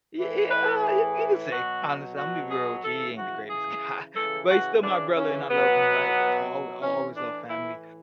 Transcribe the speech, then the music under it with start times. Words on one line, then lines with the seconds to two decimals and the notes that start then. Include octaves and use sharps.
Y y ah, you you can say. Honestly, Imma be real with you, he ain't the greatest guy. But he's still my brother, and I love him, right? I'll al I'll always love family.
0.17 A2 E3
0.50 B4
0.83 G#4
1.50 B2 F#3 F#4
2.17 F#4
2.50 G#4
2.83 C#3 E3 A4
3.16 F#4
3.50 G#4
4.16 C#3 E3 A4
4.49 F#4
4.82 D4
5.16 C#4
5.49 B2 F#3 B3
6.82 A2 E3 C#4
7.15 D4
7.48 E4